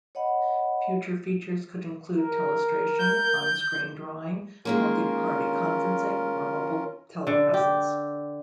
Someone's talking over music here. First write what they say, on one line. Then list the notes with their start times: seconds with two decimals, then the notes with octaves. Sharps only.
Future features could include telestration, onscreen drawing, multi-party conferencing or mobile telepresence.
0.15 C#5 D#5 F#5 B5
2.17 A#4
2.99 G6
4.65 D#3 G#3 A#3 C#4 F4 A#4
7.27 D3
7.54 G4